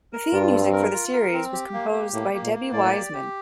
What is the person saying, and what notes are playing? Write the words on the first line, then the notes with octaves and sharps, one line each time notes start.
The theme music for the series was composed by Debbie Wiseman.
A#4
G2 F4
C4
A#4
F4
A#4
C4
G4
A#3
G4
A2 A#3
A#3
A#2
A#3
A2 D5
G4
G4